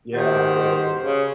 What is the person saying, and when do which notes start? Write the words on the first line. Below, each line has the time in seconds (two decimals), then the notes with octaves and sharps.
Yeah, yeah, it is.
0.14 D#3 F#4 G4 C5
1.01 C#3